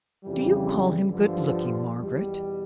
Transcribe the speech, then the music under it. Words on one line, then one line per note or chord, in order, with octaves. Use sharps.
Do you call him good looking, Margaret?'
F2 C#3 E3 G3
G2 D3 F3
E2 B2 G3